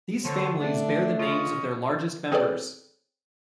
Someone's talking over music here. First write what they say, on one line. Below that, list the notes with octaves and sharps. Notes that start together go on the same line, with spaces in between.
These families bear the names of their largest members.
D3 A4 C5 C#5
A3 D4
C#4 F4 C#5 D#5
C4 G#4 A4 B4 C#5 D5